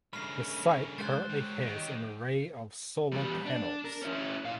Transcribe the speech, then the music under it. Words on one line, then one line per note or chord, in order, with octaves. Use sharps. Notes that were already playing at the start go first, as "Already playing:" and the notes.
The site currently has an array of solar panels.
G2 C#3 A3 A#4 B5 F6 C7
A4
G#3 C5 F#6 G6 A6
C3 F#3
D#3 F#3 G4
E2 G3
D4
A#4
C#4 E4
A#2 F5